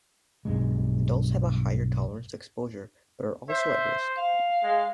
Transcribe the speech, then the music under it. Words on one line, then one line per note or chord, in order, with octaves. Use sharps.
Adults have a higher tolerance to exposure, but are also at risk.
B1 G2 G#3
C5 E5
F5
G#3